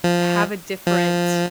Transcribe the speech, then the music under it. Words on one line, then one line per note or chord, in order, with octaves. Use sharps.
have a different
F3
F3